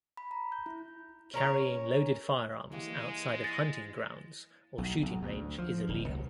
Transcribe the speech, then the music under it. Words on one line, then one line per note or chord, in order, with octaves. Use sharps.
Carrying loaded firearms outside of hunting grounds or shooting range is illegal.
B5
A#5
G6
E4
C#4 A#4 C#5
E3 G#3 A#3 G4
A6 A#6
B1
B1
D2
F3
D1
C2